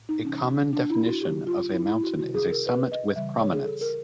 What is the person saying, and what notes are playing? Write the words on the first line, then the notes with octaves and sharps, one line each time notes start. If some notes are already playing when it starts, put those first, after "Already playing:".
A common definition of a mountain is a summit with prominence.
Already playing: A2
D#4
C3 E3 G3 C#4
D4
E4
F#4
C#3 F#3 G4
F4
E4
E4
F#4
C3 D#3 G3 F#4
G#4
A#4
B4
D#5
C#3 E3 G3 E5
C#5
G#4
A4
A#4